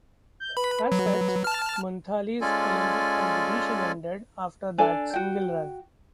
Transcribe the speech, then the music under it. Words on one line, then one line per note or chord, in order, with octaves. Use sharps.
As such, Munthali's Olympic competition ended after that single run.
G6
B4 B5
F#3
A5 F6
G#3 C#4 F4 A4 D5 G#5
D4 A4 D5 G#5
F#4 G5